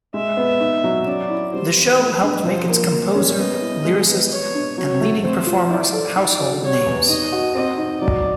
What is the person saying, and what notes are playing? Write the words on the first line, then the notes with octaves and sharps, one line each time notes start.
The show helped make its composer, lyricist and leading performers household names.
G#3 E5
B3
D#4
F#3
C#4 D5
E4
G3 C5
B3
A3 B4
D4
F3 C5
A#3
A#3
C#4
B3 D#5
E4
G#3
B3
B3 C#5
D4
F#3 C#5
A3
C4 C5
F4
E4 D5
A4
D#4
F#4
G3 C#5
E2
D#4 D#5
F#4
C4 D#5
D#4
F#3 D5